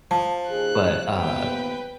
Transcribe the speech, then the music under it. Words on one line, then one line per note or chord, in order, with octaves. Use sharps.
But, uh,
F3 A5
D#2 D#4 G#4 F#6
D#2 A#3 B3 B4 G5